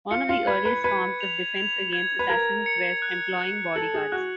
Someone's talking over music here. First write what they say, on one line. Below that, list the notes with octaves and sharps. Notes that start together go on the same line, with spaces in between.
One of the earliest forms of defense against assassins was employing bodyguards.
F4 C#7
F4
B4 G#6
B4
B4 G#6
F7
F7
G#6
B4
A#4 G#6
C#7
F#6
F#6
A4 F#7
G#4
F#4 F#6